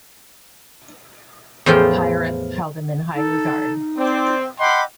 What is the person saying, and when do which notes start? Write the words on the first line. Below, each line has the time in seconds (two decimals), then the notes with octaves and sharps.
Pyrrhus held him in high regard.
1.66 E2 A2 F3 F4 G5
3.15 D#4 A4
3.97 C4 D5 D6
4.59 D#5 F#5 G5 B5 C6 D6 E6